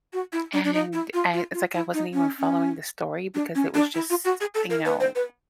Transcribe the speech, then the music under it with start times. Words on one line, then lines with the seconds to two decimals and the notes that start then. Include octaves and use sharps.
and, eh it's like I wasn't even following the story because it was just, you know,
0.13 F#4
0.32 E4
0.53 D4
0.64 D4
0.74 D#4
0.93 E4
1.13 F4
1.33 F4
1.54 F4
1.74 E4
1.94 D#4
2.13 C#4
2.39 C#4
3.34 D4
3.55 C#4
3.74 D4
3.94 E4
4.10 F4
4.25 F#4
4.40 G#4
4.54 A4
4.70 A#4
4.85 B4
5.00 C5
5.15 B4